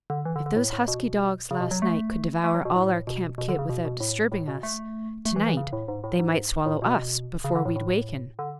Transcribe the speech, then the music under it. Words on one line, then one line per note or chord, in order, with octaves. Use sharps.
'If those husky-dogs last night could devour all our camp kit without disturbing us, to-night they might swallow us before we'd waken.'
D3
E3
D3
D3
A2
A2
B2
C#3
B2
F#3
A3
A3
F#3
B2
A2
B2
B2
D3
C#3
B2
B2
A2
A2
B2
A3
A3
E3
E3
C#3
A2
G#2
A2
G#2
A2
B2
C#3
D3
A2
A2
D3